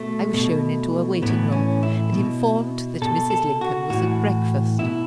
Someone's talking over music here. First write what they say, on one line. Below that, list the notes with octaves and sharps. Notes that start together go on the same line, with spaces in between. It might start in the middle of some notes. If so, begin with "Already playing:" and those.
I was shown into a waiting-room, and informed that Mrs. Lincoln was at breakfast.
Already playing: B2 A3
B2
A2 E3 B3
C#4
E4
B2
B2 A4
A4
F#4
A2 E3 F#4
B2 E4